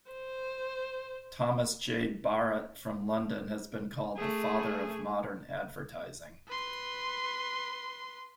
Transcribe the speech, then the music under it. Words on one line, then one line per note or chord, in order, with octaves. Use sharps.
Thomas J. Barratt from London has been called "the father of modern advertising".
C5
A3 G#4
B4 C6